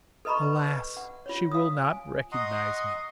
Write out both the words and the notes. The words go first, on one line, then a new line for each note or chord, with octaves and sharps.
Alas! she will not recognize me.
A4 B4 D#5 A#5 B5 C#6
B4
F#5
F4 C#5
F5 D#6
G#5
D#5 F#5 A#5 C6 C#6 D#6